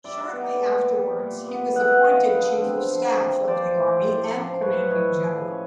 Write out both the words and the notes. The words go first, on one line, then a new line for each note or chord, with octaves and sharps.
Shortly afterwards he was appointed Chief of Staff of the Army and Commanding General.
G3 D5 E5
B3
A#2
G3
A#2
B3
B3 E5 F#5
B3 D#5 F5
D3
C4
F3
C4
F3 C5 D5
A2
A2
F3
A2 B4 C#5
A2 C#5 D#5
F3
C#4